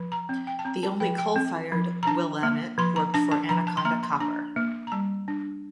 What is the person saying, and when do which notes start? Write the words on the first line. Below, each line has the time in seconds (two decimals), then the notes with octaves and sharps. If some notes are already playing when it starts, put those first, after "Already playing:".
The only coal-fired Willamette worked for Anaconda Copper.
Already playing: F3
0.12 A#5
0.29 C4
0.47 G5
0.59 A5
0.65 C4 A#5
0.83 A5
1.00 F3 G5
1.18 G5
1.36 C4
1.72 F3
2.03 A#5
2.07 D4 A5
2.43 A#3
2.78 F3 C6
2.96 A#5
3.14 D4 A5
3.32 A5
3.49 F3 A#5
3.67 A5
3.77 C6
3.85 A#3 A#5
4.03 C6
4.20 D4 A#5
4.56 A#3
4.87 A#5
4.92 G3 A5
5.28 D4